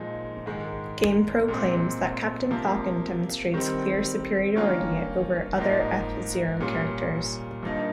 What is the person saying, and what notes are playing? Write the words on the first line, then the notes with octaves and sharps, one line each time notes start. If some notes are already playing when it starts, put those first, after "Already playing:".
GamePro claims that Captain Falcon demonstrates "clear superiority" over other F-Zero characters.
Already playing: A#2 F3 G#3 D#4
G#2 D#3 G#3
A#2 G#3 C4
C3 F3 A#3
D#3 G3 C4
G2 D#3 A#3 C#4 F4
G#2 F3 A#3 D#4
A#2 G3 C#4 F4
G2 F3 A#3 D#4